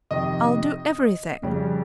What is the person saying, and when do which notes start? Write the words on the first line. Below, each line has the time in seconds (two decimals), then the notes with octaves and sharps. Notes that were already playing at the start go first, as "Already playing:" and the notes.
I'll do everything.
0.11 F2 C3 D#3 D#5
1.43 F2 C#3 G3